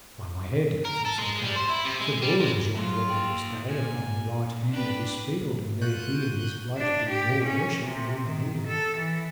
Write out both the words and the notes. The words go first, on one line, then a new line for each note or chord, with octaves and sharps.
By my head, said Sir Kay, Sir Bors is yonder all this day upon the right hand of this field, and there he and his blood do more worshipfully than we do.
A#4
A4
G#3
G3
C5
E4
C3
G#3
G3
G#3
F#3 F4
A#3 G5
A#2 G#5
D4 G4 B4
A2
F4 F#4 F#6 G6 D#7
D4
G4
C#4
C3
D#3
A4
E3